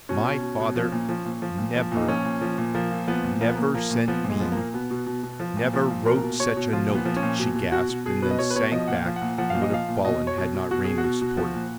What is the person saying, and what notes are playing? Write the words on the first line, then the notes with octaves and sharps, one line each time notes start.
"My father--never--never sent me--never wrote such a note--" she gasped, and then sank back and would have fallen had not Raymond supported her.
B2 C#4
B2
B2
B2
F3
A#2
F3
A#2
F3
A#2
F3
A#2
D#4
F3 C#4
A#2
F3
A#2
F3 A#3
A#2
F3 B3
A#2
F3 A#3
B3
A#2 A#3
F3 A#3
A#2
F3 B3
A#2
G#3
F3 B3
A#2 A#3
B2 B3
B2
B2
B2
F3
A#2
F3
A#2
B2 A#4
B2
B2 C#5
B2
F3 F4
A#2
B3
F3
C#4
A#2
B2
B2
B2 F#4
B2
B2 G#4
B2 B4
D#5
B2 C#5
B4
B2 C#5
F3 D#5
A#2 F#5
F5
F3
F#5
A#2
F3 F#5
A#2 F5
D#5
F3 F5
A#2
B2 D#5
B2
C#5
B2
B2
B2 F#4
B2 G#4
F#4
B2
B2
F3
A#2